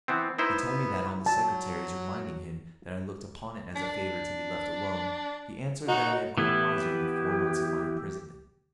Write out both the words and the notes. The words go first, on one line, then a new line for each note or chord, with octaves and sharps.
He told me that on the secretary's reminding him that I looked upon it as a favour to be left alone, he answered that I had grown wiser in the four months of my imprisonment.
E3 B3 C4
B3 D#4 E4 C5
F#3 A5
D4
D#4 F#4
E3 B3 E4 G4